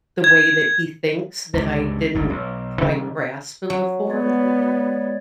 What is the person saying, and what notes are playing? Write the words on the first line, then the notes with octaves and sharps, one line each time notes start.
the way that he thinks, that I didn't quite grasp b before,
G#6
C#2 G2
G1 C#2 G2
B1
C3 D#3 G3 C#4
F#3
G#3 B3 C#5 D5